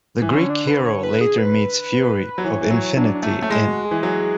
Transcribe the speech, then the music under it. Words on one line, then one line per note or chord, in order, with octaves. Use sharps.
The Greek hero later meets Fury of Infinity In.
E3
D3 C#4
D4
B4
C#5
B4
G#4
B4
F#3
E3 C#5
E3
F#3
F#3 D4
D4
A3
C#4
A3
G#3 E4
F#4
G#4
E3
F#3